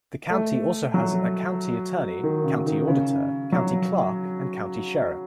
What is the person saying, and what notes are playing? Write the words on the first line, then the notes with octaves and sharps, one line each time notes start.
The county also has a County Attorney, County Auditor, County Clerk, and County Sheriff.
A3
F#3
D#3
C#3
D#3
C#3
F#3